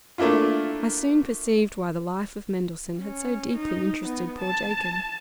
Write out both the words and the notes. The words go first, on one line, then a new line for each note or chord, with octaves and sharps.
I soon perceived why the life of Mendelssohn had so deeply interested poor Jacob.
A3 A#3 D4 E4 F4
C#4
D#4
B3
A5